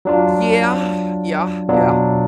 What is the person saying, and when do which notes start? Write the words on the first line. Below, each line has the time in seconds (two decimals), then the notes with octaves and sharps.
Yeah. Yeah. Yeah.
0.05 F#3 D4 F4
1.69 B2 F#3 D4 F4